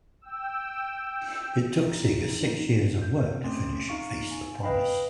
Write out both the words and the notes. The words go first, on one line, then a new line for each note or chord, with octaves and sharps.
It took Seger six years of work to finish "Face The Promise".
G5 E6
D#4
G6
A3 C4 C#4 C6
D#4 F5 C#6 C#7
G#5
B4 D#5 F5 G5 B5